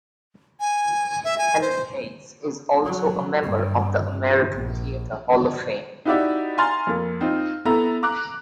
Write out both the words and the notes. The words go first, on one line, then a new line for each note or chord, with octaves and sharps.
Helen Hayes is also a member of the American Theatre Hall of Fame.
G#5
E5
G#5
C5
F#3
G2
A#1
D#4 E4 F#4 G4 D5 E5
G#5 A#5 C6 F6 A6
F2 A#3
C4 D#4 F4
B3 E4 A4 A#5
A#5 D6 F#6